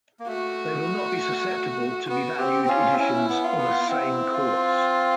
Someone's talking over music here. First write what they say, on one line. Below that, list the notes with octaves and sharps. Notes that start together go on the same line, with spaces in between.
They will not be susceptible to be valued editions of a same course.
A#3
A3 F#4
B3 F#4
C4 G4
C4
C#4 F4
C4
C#4 E4
B3
F4
B3
B3
C4 E4
F4